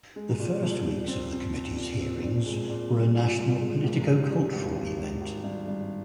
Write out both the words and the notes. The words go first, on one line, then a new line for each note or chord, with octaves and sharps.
The first weeks of the committee's hearings were a national politico-cultural event.
G#3
A#2
C2
A#2
C4
C4
C4
A#2
C4
A#2
G#3
A#2
C2
A#2
C2
G#3
G#1
G3
G3
G#1
G#1
G#1
G#1
G2
G2